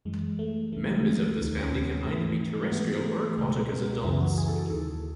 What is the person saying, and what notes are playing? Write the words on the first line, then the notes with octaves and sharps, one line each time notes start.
Members of this family can either be terrestrial or aquatic as adults.
F#2 E3 G#3
A3
C#2 C#3 E3 A3
G#3
A3
D#2 D#3
C#4
B3
G#2 E3 A3
G#3
A3
G#2 E3 B3
A3
C#2 B2 G#3
G#3
B3
F#2 C#3 E3 E4
F#4
G#4
A4
G#4
D#2 D#3 A4